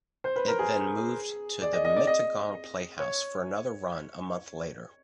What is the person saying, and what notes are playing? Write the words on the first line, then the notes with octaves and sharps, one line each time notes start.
It then moved to the Mittagong Playhouse for another run a month later.
C5
B4
A#4
G#4
D5
D#5
D#5
D5
D#5
C#5